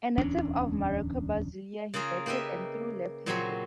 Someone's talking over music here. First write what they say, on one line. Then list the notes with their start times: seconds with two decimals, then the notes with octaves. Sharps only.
A native of Maracaibo Zulia, he batted and threw left-handed.
0.18 D1 E2 C#4 D4
1.94 C#3 A#3 F4 G#4 A#4
2.26 A#3 G4 B4 D#5 E5
3.26 A#2 C#3 F#3 C4 C#5 B5